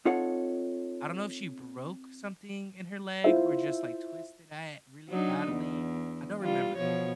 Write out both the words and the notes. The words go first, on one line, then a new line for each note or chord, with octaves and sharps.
I don't know if she broke something in her leg or, just, like, twisted it really badly, I don't remember,
C4 D#4 F4 A4 C#5 F#5
E4 F4 C5 E5
F#3 D4 D#4
E2
E3 G3 F4
B2 F3 C#5